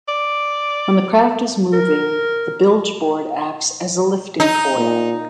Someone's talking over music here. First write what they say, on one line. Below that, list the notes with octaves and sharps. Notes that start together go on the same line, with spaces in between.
When the craft is moving, the bilgeboard acts as a lifting foil.
D5
A#4
D#4
A#2